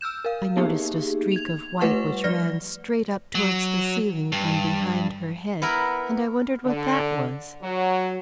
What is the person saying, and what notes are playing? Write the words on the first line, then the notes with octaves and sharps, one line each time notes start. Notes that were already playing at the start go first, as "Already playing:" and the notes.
I noticed a streak of white which ran straight up towards the ceiling from behind her head, and I wondered what that was.
E6 F6 G6 E7
A#4 F5
A#3 B3 D#4 G4 G#4
G#6 F7
G3 A3 B4 F#5 C#6
F3 D5 F6 A#6
F#3
G2
B3 E4 A#4
D3
F#3